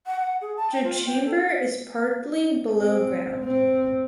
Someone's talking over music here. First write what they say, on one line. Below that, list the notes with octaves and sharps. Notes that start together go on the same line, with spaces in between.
The chamber is partly below ground.
F#5
F#5
G#4
A5
G5
F4
G5
A4
C4
C4